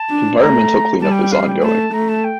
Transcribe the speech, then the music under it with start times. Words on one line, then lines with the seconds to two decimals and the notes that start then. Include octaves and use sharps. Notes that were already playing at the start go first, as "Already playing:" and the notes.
Environmental cleanup is ongoing.
Already playing: A5
0.10 D4
0.41 A3 A#5
1.02 G3 A5
1.12 G5
1.23 G5
1.32 F5
1.48 G5
1.62 A3 A5
1.93 A3 A#5
2.09 A5
2.24 G5